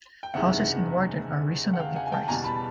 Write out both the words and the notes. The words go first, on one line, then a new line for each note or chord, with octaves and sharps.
Houses in Warden are reasonably priced.
G5
F#1 E2 C3 D#3 G#3 E5 F#5
F#5
F5 G5
F#5 G#5
G#5
G5 A5
E2 B2 G3 G#5 A#5
A5 B5